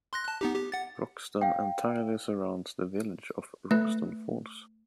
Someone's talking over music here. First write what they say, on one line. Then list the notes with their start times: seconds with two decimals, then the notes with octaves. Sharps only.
Roxton entirely surrounds the village of Roxton Falls.
0.13 C6 F#6 A#6
0.25 A5 F#6
0.41 B3 D#4 G4
0.55 G4
0.72 F#5 A6
1.41 F5 G5
3.71 A3 B4